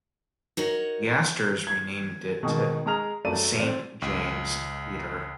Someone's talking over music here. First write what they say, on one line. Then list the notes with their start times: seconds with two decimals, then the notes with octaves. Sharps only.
The Astors renamed it the Saint James Theatre.
0.57 D#4 F#4 A#4 C#5
1.67 G#6
2.43 B2 D#3 G#3
2.86 G#3 G#4 A#5 F6 F7
3.25 F#2 F#3 A3 D5 A5 D#7
3.60 C4 D5
4.02 C#2